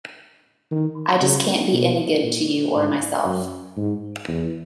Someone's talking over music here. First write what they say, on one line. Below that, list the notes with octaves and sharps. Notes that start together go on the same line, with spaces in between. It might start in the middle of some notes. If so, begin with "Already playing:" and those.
I just can't be any good to you or myself.
D#3
C#3
B2
A#2
G#2
F#2
G#2
E2